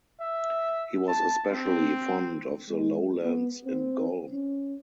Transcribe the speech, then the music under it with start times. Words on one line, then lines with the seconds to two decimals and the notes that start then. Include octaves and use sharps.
He was especially fond of the lowlands in Golm.
0.21 E5
1.08 A5
1.51 C4
2.69 G#3
3.23 B3
3.65 C4
4.31 C#4